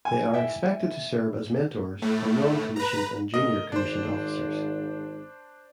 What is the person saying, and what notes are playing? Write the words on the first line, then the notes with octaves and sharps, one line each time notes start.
They are expected to serve as mentors for noncommissioned and junior commissioned officers.
G#5
E4 E5 G5
A2 A3
B4 A#5
D2 A#4 D#5
G#1 D4 C5